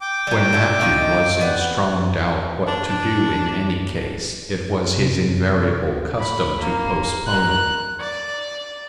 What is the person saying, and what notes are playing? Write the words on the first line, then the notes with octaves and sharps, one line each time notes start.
When Matthew was in strong doubt what to do in any case, it was his invariable custom to postpone.
G5 D6
F#3 G3
D4 E5
D#3 F3 D#4
B3 D5 F#5
D4
C3
B5
A#3
A#4 F#6
D5